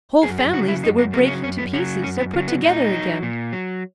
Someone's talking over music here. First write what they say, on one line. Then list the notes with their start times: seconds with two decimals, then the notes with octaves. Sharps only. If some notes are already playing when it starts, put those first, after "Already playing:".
Whole families that were breaking to pieces are put together again.
0.23 F#2 G#4
0.39 G#4
0.53 C#3 F#3 F#4
0.68 E4
0.83 F#2 D#4
0.98 A#3
1.13 C#3 F#3 A#3
1.27 C#4
1.43 F#2 C#4
1.58 B3
1.73 C#3 F#3 C#4
2.03 F#2 C#4
2.18 B3
2.33 C#3 A#3
2.37 F#3
2.48 B3
2.63 A#2 D#4
2.92 F#3
3.23 A#2
3.52 F#3